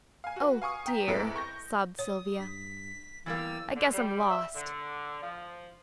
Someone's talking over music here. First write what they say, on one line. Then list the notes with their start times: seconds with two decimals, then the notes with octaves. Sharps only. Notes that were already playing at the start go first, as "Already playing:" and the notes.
"Oh, dear," sobbed Sylvia, "I guess I'm lost."
0.24 F5 G#5
0.36 F#4 B4
0.62 F5 G#5 C#6 D#6
0.86 G5 A#5 B6
1.07 F2 G#2 E4 A4 B4 D7
1.36 C#6 G6 A#6
1.99 C#5 D#6
2.39 G2 B6
3.26 E2 E3 G3 A#3 E6
3.76 D3
3.93 G3
4.30 E5
4.55 D3
5.23 F3